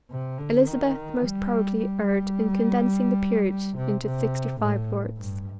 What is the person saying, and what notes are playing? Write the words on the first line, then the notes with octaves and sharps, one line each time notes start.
Elizabeth most probably erred in condensing the peerage into sixty-five lords.
C3
D3
D#3
G3
G3
G3
C3
C3
A2
G2